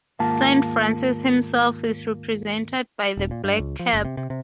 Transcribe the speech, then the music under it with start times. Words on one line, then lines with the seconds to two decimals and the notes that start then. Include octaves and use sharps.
Saint Francis himself is represented by the blackcap.
0.19 D#2 G#2 A#3 F4 A5
3.17 D#1
3.31 A#2
3.44 G2
3.59 C#2
3.79 F3
3.93 F#1
4.05 C3
4.17 C3
4.30 C3